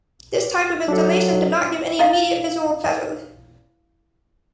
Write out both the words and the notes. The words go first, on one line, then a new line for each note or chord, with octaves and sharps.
This type of installation did not give any immediate visual pleasure.
F#3 D4 A4
E4 F5